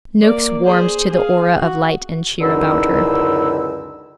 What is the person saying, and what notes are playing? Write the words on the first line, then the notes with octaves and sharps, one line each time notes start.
Noakes warmed to the aura of light and cheer about her.
A#3 D5
G#4 C5
G#4 F5
F#4
C#2 F#2 D3 D#4 E4 E6